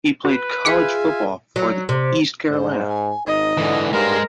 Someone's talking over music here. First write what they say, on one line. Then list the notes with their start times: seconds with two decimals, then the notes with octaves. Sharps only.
He played college football for the East Carolina.
0.25 F#4 B4
0.65 F4 G#4 E5 G#5 D6 B6 C#7
1.56 F#3
1.89 C3
2.51 G#2 C5
2.89 G#5
3.26 G#1 D#4 D#5
3.57 G#2 D3 E3
3.93 G2 G#3 G4 A#4 C5